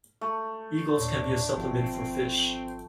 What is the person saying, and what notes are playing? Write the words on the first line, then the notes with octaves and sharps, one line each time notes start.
Eagles can be a supplement for fish.
A3
D#2 A#2 D4 C#5
G#1 F3 C4 F4